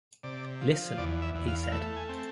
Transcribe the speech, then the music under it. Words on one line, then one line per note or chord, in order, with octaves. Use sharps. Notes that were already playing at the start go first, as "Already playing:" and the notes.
"Listen," he said.
C3 D5
F3
E2 D5
E5
E2
F5
F5
A3 E5
G#5
C4